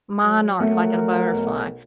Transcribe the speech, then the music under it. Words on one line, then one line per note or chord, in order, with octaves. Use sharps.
Monarch, like in a butterfly.
F#3
A3 A#4 F#5
B1